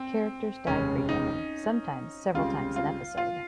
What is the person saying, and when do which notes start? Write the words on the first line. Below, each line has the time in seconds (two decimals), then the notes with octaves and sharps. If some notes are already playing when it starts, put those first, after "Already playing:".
Characters die frequently, sometimes several times an episode.
Already playing: C4
0.67 F1 D#2 C#3 G#3 C#4
1.09 D#4
2.34 C#2 C#3 G3 C4 F4
2.76 F4
3.18 F4